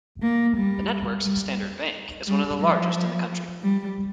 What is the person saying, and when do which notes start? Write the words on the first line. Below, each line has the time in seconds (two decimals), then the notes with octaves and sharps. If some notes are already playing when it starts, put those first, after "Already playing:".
The network's Standard Bank is one of the largest in the country.
0.23 A#3
0.57 G3
1.24 G3
2.27 G3
2.62 F3
3.63 G3